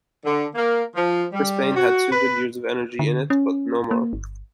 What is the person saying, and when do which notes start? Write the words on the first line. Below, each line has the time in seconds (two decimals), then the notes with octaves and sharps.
Brisbane had two good years of energy in it in but no more.
0.24 D3
0.55 A#3
0.94 F3
1.33 G3
1.75 F#4
2.12 B4
2.99 D3
3.30 C#4
3.91 A#3
4.13 G1